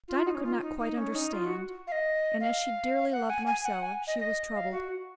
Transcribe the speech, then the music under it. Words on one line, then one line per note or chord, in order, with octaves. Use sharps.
Dinah could not quite understand and, as she dearly loved Marcella, she was troubled.
F4
D#4
C#4
F4
D#4
D#4
C#4
D#4
F4
F#4
F5
D#5
F5
F#5
G#5
G#5
F#5
G#5
D#5
D#5
F5
F#4